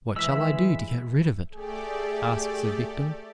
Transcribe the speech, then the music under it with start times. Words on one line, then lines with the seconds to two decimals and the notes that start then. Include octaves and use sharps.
"What shall I do to get rid of it?" asks a victim.
0.16 E3 G#3 E5 E6
1.54 A3 G4 G#4 D5